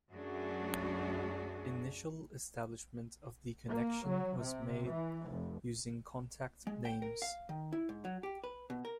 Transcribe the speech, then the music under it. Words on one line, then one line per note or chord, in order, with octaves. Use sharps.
Initial establishment of the connection was made using contact names.
F#2 F#3 A3 D4 F#4 G#4
A#3
F#3
C3
E3
F1
G#3
G5
A#4
F5
D#3
E4
G#2
F#3
G4
B4
B2
A#4